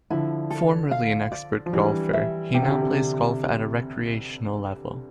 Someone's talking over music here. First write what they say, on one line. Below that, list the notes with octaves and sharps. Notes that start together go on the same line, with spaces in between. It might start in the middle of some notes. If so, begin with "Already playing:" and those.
Formerly an expert golfer, he now plays golf at a recreational level.
D3 F3 E4
A4
F5
D5
F3
E3 G3 D4
E5
C3 G4
D3
C3
C3